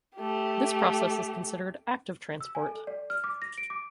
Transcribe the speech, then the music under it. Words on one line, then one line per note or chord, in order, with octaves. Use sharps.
This process is considered active transport.
A3 G4
E6
G#5
A4
D5
F6
D6
A#6
D7
D6